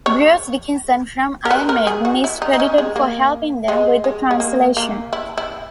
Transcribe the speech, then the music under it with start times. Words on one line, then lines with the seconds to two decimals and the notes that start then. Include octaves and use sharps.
Bruce Dickinson from Iron Maiden is credited for helping them with the translation.
0.06 C#5
1.45 A#4
1.51 B4
1.69 A#4
1.87 G#4
2.05 F#4
2.24 E4
2.42 D#4
2.53 D#4
2.60 C#4
2.78 G#3
2.96 A#3
3.68 G#3
4.04 G#3
4.31 G#3
4.40 A#3
4.77 A#3
5.13 E4
5.38 E4